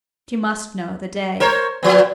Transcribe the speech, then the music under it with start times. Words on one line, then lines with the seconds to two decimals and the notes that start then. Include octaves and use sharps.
She must know the day.
1.40 A#4 C5 C#5
1.83 A#2 F3 B3